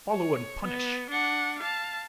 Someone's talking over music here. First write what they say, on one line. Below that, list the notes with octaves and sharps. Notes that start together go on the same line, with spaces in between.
"Follow and punish."
C#5
B3
D4 F#5
F5 A5